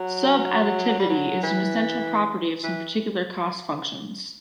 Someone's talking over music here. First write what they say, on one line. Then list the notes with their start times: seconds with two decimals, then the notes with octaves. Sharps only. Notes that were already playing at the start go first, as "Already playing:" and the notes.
Subadditivity is an essential property of some particular cost functions.
Already playing: F#3
1.00 G3
1.09 F#3
1.43 E3
2.64 E3